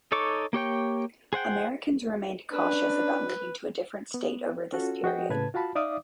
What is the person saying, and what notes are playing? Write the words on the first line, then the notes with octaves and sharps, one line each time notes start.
Americans remained cautious about moving to a different state over this period.
D#4 A4 C#5 C#6 D6
A#3 G4 C#5 G5
G#4 C5 F#5 G5
C#4 D4 B4
B3
C#4 F4 F#4 A4
F3 F#4 G#4 D#5 F#5 G5
A2 C#3 B4 A5 G#6
F4 F#4 F5 A5 B5
D#4 D5 E5 F5 D6 D#6